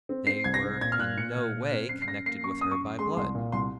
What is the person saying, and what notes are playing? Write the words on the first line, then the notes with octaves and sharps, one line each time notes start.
They were in no way connected with her by blood.
C4
C4 C7
C2 G#6
A#6
C4
A#2 G#6
F6
A#2 F#6
A#2 C#7
A#2
A#2
C4
F#2 C7
C7
F#2 A#6
A#3 C7
F#2 C#6
F#2 D#6
C#6
F#2
G#3 C6
C2 C6
A#2
C2 C6